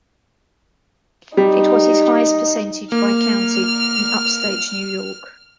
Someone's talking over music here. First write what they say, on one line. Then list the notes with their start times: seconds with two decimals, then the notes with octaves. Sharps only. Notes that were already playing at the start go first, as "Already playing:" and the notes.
It was his highest percentage by county in upstate New York.
1.37 G3 D#4
2.92 A#3 F6